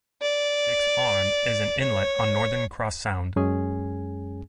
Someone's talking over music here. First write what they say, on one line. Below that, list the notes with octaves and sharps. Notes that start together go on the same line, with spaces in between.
Dicks Arm is an inlet on northern Cross Sound.
D5
C#5
F#2 G#3 C#4 G#4 G#5